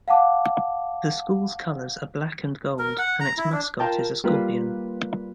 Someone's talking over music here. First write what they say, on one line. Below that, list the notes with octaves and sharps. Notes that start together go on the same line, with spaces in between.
The school's colors are black and gold and its mascot is a scorpion.
F5 F#5 A5 D6
A#4
F#5
A#5
E4
D4
F4 A#4 G5 A5
G3 A#3 F4 B4